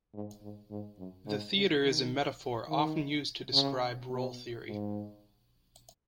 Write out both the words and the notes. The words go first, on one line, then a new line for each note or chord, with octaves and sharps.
The theatre is a metaphor often used to describe role theory.
G#2
G#2
G#2
F#2
G#2
C#3
D#3
D#3
C#3
B2
G#2